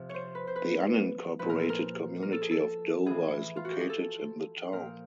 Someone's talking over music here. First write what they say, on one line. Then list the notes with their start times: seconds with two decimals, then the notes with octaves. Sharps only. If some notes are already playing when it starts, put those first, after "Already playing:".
The unincorporated community of Dover is located in the town.
Already playing: C3 F3
0.09 C5 C#5
0.35 B4
0.47 C5
0.56 B4
1.39 A#2 F3 B4
1.49 A#4
1.59 A4
1.69 A#4
2.22 A#4
2.32 A4
2.42 G#4
2.51 A4
3.06 A2 E3 G#4
3.56 F4
3.65 F#4
3.73 G4
3.81 G#4
3.90 A4
4.72 A#2 F3 A#4